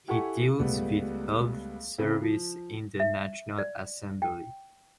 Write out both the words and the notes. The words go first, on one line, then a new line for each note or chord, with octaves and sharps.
He deals with health service in the National Assembly.
E4 G4 A4 F#5 G#5 C#6
C#2 G3 A3 B3
C#3 C4 E4
F3
E5
D5
G5